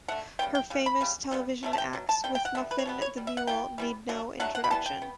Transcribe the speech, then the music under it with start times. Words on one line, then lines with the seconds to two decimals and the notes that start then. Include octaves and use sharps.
Her famous television acts with Muffin the Mule need no introduction.
0.08 D3 A3 F#5
0.39 C#3 G3 B3 G5
0.55 G5
0.70 C#3 G3
0.86 B5
1.01 C#3 G3
1.31 C#3 G3 B3
1.63 B2 F#3 A3
1.73 A5
1.78 G5
1.93 B2 F#3
2.09 A5
2.24 D3 G3 B3 G5
2.35 G5
2.45 F#5
2.55 D3 G3 B3 E5
2.71 B4
2.79 C#5
2.86 B2 G3 B3
3.02 C#5
3.17 B2 G3
3.27 E5
3.37 F#5
3.47 E3 G3 B3 G5
3.78 E3 G3 B3
4.09 D3 F#3 A3
4.40 D3 F#3 A3 F#5
4.55 F#5
4.64 B5
4.70 E3 G3 B3 A5
4.86 G5
5.02 B3